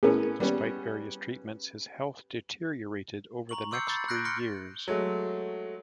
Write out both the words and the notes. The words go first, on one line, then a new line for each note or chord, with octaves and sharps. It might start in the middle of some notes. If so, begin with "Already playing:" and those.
Despite various treatments, his health deteriorated over the next three years.
A2 B3 C#4 G#4 A#4
G3 B3 C#4
A#5 C#6 F#7
C6 D6 E6 G6 C7 C#7
B5 G6 A6
F#6 G6 A6 A#6 C7 D7
C6 F6 F#6 A#6 C#7
F#3 G#3 A3